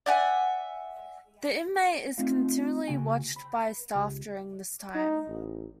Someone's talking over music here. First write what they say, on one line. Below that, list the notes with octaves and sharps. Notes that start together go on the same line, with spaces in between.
The inmate is continually watched by staff during this time.
D5 E5 F#5 G#5
A3 C4 D#4 F4 F5
C#2 C#3 A#3 F#4 G5 G#5
B5
C#2 G4
D#4
A1